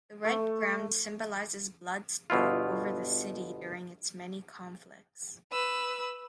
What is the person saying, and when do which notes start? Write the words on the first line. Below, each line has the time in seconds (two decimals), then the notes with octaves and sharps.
The red ground symbolises blood split over the city during its many conflicts.
0.25 A3
2.30 G1 B2 E4 F4
5.52 B4 E6